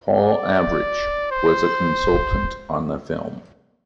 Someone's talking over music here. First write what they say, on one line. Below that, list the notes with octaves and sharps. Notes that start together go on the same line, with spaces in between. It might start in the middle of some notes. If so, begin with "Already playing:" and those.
Paul Avrich was a consultant on the film.
D5
C5